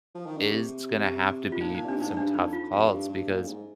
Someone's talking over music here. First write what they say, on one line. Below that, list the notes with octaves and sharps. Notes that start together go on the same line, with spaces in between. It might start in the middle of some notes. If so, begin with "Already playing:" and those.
is gonna have to be some tough calls because
F3
D#3
D3
G4
C3 G#4
G4
F4
A#2 D#4
D#4
C3 D4
A#2
D#4
G#2
G2 D4
F2 D#4
F4
F2 G4
G2
G2
A#2
G2
G#2